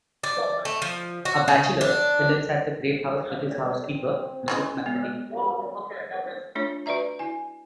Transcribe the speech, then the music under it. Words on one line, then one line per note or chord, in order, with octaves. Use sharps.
A bachelor, he lives at the great house with his housekeeper, Mrs Macready.
D5
A3
F3
F#4
C#3
D4
C4
C#3 E3 G#3
G#3 B3
A3 D4 F4 C#5
F#4 B4 D5 E5 A#5
E4 G#5